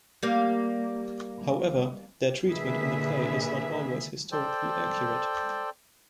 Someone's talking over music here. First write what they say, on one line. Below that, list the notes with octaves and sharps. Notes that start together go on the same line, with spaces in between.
However, their treatment in the play is not always historically accurate.
G3 A#3
A#2 D3 D#3 G#4 B4 E5
A4 C5 D5 G5